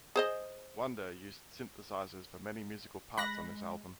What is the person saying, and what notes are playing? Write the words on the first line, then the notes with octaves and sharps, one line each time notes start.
Wonder used synthesizers for many musical parts on this album.
G#4 C5 D#5
G#3 B5 F#6 A#6